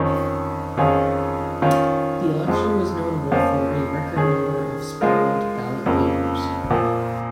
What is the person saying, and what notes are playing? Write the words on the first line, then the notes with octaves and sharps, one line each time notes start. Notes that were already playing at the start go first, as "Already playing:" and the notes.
The election was notable for a record number of spoiled ballot papers.
Already playing: F2 D#3 C#4
F2 D#3 C#4 F4 G#4
D#3 C#4 F4
F2 F3 G#3
F2 F3 A#3 C#4
D#3 C#4 G#4
F3 G#3 F4 A#4
F2 C#3 A#3
A#2 F3 A#3